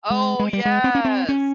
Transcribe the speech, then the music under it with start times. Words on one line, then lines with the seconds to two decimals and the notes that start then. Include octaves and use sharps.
Oh, yes.
0.10 G#3
0.39 G#3
0.53 G3
0.65 G#3
0.84 C4
0.95 C#4
1.05 C4
1.29 C#4